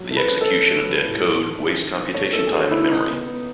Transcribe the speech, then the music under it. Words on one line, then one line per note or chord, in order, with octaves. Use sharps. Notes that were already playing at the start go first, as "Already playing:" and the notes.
The execution of dead code wastes computation time and memory.
Already playing: F#3
A3
B4
C#4
A4
C#4
A3
F#3
A2
A3
D#3
A3
D#3
D#3
A3 C#5
A3 A4
G#4
C#4 F#4
D#3 E4
C#3 D#4
B3
B3